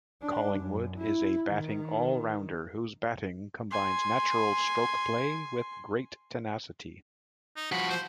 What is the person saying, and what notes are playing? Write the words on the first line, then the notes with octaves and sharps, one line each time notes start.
Collingwood is a batting all-rounder, whose batting combines natural strokeplay with great tenacity.
D4
F#2
E4
D#3
G#5 C6
D#4
F3 F#4 B5
C5